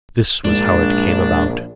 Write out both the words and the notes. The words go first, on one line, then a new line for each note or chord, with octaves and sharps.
This was how it came about.
A#1 G#2 D4